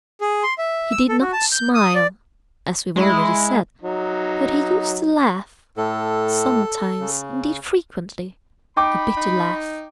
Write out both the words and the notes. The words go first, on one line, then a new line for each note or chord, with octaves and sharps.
He did not smile, as we have already said, but he used to laugh; sometimes, indeed frequently, a bitter laugh.
G#4
C6
E5
E6
A4
F#4
A5
G6
D#6
D5
G#3 E4
F#3 D#4
A2 A4
C#3
D#4 G5 B5 D6
D#4